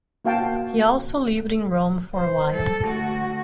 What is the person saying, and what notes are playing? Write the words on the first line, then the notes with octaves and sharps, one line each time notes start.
He also lived in Rome for a while.
A#3 F#4 F5 G5 A5
C5
G3 A4
D2 F#4